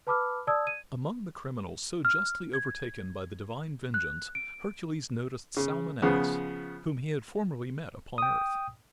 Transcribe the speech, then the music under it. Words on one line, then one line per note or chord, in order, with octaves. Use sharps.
Among the criminals so justly overtaken by the divine vengeance Hercules noticed Salmoneus, whom he had formerly met upon earth.
B4 A5 B5 D6 E6 F6
D5 A5 D#6 E6 G#6
G#6 D#7
F6
G#6
F#6
D7
C#3
C#3 F3 B3
G5 D#6